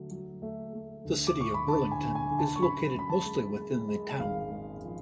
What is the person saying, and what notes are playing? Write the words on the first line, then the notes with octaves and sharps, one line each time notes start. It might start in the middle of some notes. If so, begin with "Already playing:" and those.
The City of Burlington is located mostly within the town.
Already playing: D3 F#3 A3
F#3
A3
A3
D2
D6
D2 C#6
B5
D3 A5
G#5
D3
G#5
D3
A5
C#6
F#2 B5
F#2 B5
A5
G#3
G#3
G#3
G#1 F5
G#3
F3